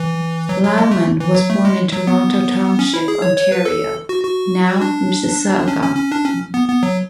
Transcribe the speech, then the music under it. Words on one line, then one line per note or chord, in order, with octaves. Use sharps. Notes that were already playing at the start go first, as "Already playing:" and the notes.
Laumann was born in Toronto Township, Ontario, now Mississauga.
Already playing: E3
F#3
F#3
G#3
A3
E3
F#3
A3
G#3
F#3
B3
C#4
E4
G#4
C#5
C#5
B4
A4
F#4
F#4
D4
C#4
C#4
C#4
D4
C#4
B3
B3
F#3